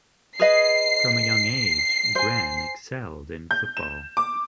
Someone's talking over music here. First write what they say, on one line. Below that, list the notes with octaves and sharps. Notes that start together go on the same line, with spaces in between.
From a young age, Gren excelled in football.
G#4 B4 D#5 C7
C5 G#5
G6
E7
D6